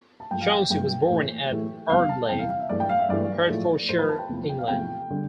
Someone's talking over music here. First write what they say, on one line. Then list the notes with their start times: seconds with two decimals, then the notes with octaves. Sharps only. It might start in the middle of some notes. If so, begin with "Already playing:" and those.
Chauncy was born at Ardeley, Hertfordshire, England.
0.20 A5
0.31 G2 F3 A3 G5
0.41 F5
0.51 G5
0.70 G2 F3 A3 G5
1.10 A2 E3 A3
1.50 A2 E3 A3
1.90 E2 C3 E3 G3 F5
2.09 A5
2.29 E2 C3 E3 G3 G5
2.39 F5
2.50 F5
2.59 E5
2.69 G2 E3 A3 D5
2.80 G5
2.89 F5
2.99 E5
3.09 G2 E3 A3 D5
3.49 A2 F3 A3
3.89 A2 F3 A3 C5
3.99 B4
4.09 A5
4.19 G5
4.29 E2 C3 F3 A3
4.49 G5
4.59 F5
4.68 E2 C3 F3 A3 G5
5.10 D3 G3